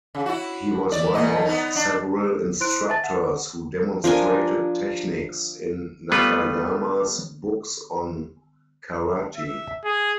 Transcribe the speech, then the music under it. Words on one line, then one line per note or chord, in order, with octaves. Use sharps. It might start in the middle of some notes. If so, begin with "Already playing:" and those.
He was one of several instructors who demonstrated techniques in Nakayama's books on karate.
C#3
E4 F#4
E3 D5
E2 B2 D#5
B3 D#4
D4
E4 C5 C6 F#6 D7
E5 G#5 A5 A6
F#5
F3 D4 A#4 G#5
G3 A3 B3 F4 B4
E5
G#4